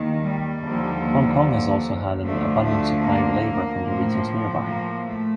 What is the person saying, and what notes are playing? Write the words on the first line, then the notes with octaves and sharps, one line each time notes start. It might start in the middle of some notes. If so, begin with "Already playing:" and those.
Hong Kong has also had an abundant supply of labour from the regions nearby.
Already playing: D#2 D#3
G3
D#2 D3 F3
D2 D3 F3 A3
A3
A#3
A2 F3
A#3
A3